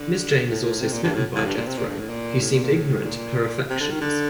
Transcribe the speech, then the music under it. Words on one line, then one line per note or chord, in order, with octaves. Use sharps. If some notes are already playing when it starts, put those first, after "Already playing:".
Miss Jane is also smitten by Jethro, who seems ignorant of her affections.
Already playing: D3
A2
C3
A#2
G2
A2
A2
G2
A#2
C3
A#2
G2
A2
A#2
A2
A#2
A#2
A2
A#2
C3
D3
D#3
D3